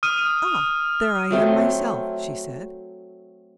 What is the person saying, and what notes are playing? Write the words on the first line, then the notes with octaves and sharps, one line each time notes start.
"Ah, there I am myself!" she said.
D#6 F6 D#7
F#3 A3 C4 C6